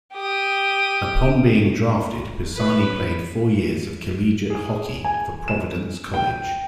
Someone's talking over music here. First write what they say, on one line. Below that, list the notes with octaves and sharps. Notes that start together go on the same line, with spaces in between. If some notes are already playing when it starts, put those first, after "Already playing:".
Upon being drafted, Pisani played four years of collegiate hockey for Providence College.
G4 D#6
B4
G#4
G#5
E7
G5